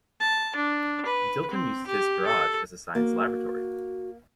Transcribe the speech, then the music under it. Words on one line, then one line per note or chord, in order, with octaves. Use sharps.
Dilton uses his garage as a science laboratory.
A5
D4
B4
C4
G4
A4
A#3 F#4